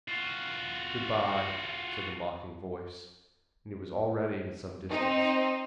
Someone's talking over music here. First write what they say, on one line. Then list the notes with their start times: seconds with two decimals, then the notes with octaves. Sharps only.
"Good-bye," said the mocking voice, and it was already at some distance.
0.08 F4 F#4
4.90 C4 D#4